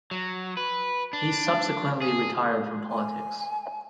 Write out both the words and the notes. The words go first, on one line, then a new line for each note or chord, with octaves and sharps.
He subsequently retired from politics.
F#3
B4
D4
G#4
G#5